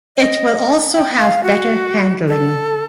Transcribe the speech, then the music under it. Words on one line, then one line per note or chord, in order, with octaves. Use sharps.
It will also have better handling.
D#5
G5
F5
F#4
A4